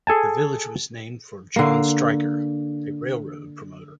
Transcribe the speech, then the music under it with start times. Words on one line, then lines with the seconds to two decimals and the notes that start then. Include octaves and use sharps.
The village was named for John Stryker, a railroad promoter.
0.07 G#4 A4 G#5 A5
1.56 D3 A#3